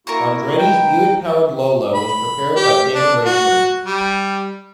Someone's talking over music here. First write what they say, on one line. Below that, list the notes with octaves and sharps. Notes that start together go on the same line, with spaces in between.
Andretti's Buick-powered Lola was prepared by Pagan Racing.
A#3 E4 F#4 A#4 A#5 C#6
D#4 B4 G5
B5
G4
D4
F#4
G3